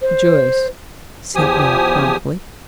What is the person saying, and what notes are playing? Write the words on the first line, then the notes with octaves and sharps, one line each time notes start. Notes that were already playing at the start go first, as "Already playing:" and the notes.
"Joyce," said Rob, promptly.
C5
E2 F3 G4 G#5 D#6